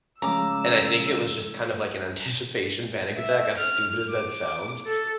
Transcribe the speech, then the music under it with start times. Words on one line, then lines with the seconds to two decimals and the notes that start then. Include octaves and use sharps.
and I think it was just kind of like an anticipation panic attack, as stupid as that sounds.
0.22 C#3 F3 G#3 A3 A#5 D6 E6
3.18 E5
3.58 F6
4.10 D6
4.86 A4